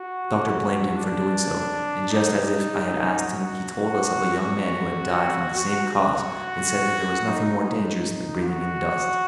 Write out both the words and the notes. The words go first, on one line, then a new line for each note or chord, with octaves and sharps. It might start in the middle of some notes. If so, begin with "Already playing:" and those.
The doctor blamed him for doing so, and just as if I had asked him he told us of a young man who had died from the same cause, and said that there was nothing more dangerous than breathing in dust.
Already playing: F#4
D4
D#4
F#4
F#4
D#4
F#4